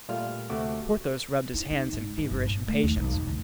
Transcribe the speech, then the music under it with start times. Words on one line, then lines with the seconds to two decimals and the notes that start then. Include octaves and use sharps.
Porthos rubbed his hands in feverish impatience.
0.09 A#2 G3 A3 F4 F6
0.50 D2 C3 A3 F#4 D6
1.54 E4
1.71 D#4
1.93 G#2
2.18 E3
2.31 G1
2.47 A#2
2.68 A3
2.83 D#2
2.97 B1
3.14 F2
3.29 D2